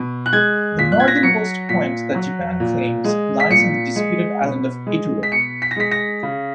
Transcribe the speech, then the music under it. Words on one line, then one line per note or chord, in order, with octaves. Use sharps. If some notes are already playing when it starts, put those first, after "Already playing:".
The northernmost point that Japan claims lies on the disputed island of Iturup.
Already playing: B2
F#6
G#3 G#6
A#2 B6
F#6
G#6
A#6
B6
F#3 C#7
A#2 B6
F#3
A#2
G#3
B6
A#2 C#7
G#3
B2
G#3
B6
B2 C#7
B6
A#6
G#3 B6
A#6
C#3